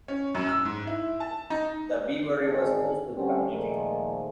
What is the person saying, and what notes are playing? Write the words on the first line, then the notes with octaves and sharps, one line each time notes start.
The Beaver River flows through the community.
C#4
F#2
E6
G#2
E4
A5
D#4
G#1 D3 D4 G#4
D3 G3 C4 C#4
A#2 D#3 F3 G#3 A3